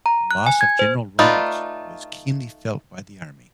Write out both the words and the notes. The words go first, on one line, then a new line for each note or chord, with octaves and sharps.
The loss of General Reynolds was keenly felt by the army.
A#5
F#6
G#5
G#6
C5
A3 D#4 F4 B4 D5